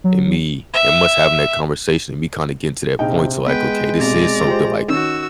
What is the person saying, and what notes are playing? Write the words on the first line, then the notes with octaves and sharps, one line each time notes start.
And me and m us having that conversation and me kinda getting to that point to like, "Okay, this is something," like,
F#3
E5
A#1 C3 D#4 G5
G#3 B3 B4 G5
B1 C3 D5 A#5
F4 G4 C5
D#3 C#4 F#4 E6